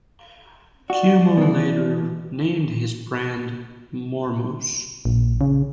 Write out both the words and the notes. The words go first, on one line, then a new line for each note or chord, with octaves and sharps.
Cuomo later named his band Mormos.
F#4 D5
B2 E3
A#1
C#3